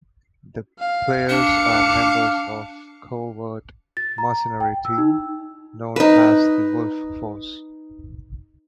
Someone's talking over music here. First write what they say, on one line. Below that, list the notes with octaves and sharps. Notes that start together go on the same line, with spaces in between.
The players are members of a covert mercenary team known as the "Wolf Force".
F5
D4 F5 D6 C#7
A6
A#5
G5
E6
D#4
D#4 B4